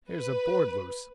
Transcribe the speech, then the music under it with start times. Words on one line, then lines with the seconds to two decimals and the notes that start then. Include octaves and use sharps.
'Here's a board loose.
0.11 B4